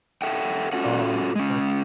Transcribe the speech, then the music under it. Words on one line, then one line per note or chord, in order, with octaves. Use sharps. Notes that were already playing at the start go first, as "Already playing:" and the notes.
um, like,
A4 E5 F#5 G5
C#4 F4 F#4 A4 F#5
G#3 C#4